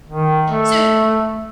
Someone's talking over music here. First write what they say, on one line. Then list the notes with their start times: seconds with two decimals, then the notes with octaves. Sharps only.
So, d
0.08 D#3
0.48 A3